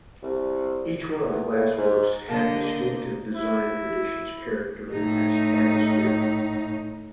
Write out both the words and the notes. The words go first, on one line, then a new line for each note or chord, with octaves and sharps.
Each one of the glassworks have distinctive design traditions, character and atmosphere.
C2
E2
A2
G#2
D3 A#3 D#5 A5 G6
E4
A2 D#4